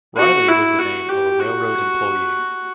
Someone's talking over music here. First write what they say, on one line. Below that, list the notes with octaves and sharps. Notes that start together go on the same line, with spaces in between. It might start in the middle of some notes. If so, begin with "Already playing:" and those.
Riley was the name of a railroad employee.
F#4
E4
F#4
G4
F#4